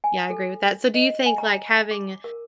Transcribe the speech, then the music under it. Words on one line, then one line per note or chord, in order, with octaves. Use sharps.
Yeah, I agree with that. So do you think, like, having
G#5
A4
D#5
G#5
A#5
D6
A#4